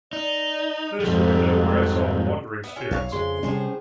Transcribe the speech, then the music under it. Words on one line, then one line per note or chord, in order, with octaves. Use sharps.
There's the window where I saw the wandering Spirits!
D#4 D5
F2 G#2 F3 G3 A4
B3 E5
C#4 F4
B1 C#5 F5 A5
F2 C#3 G#3 C6
A2 C3 G3 C#4 G#4 C5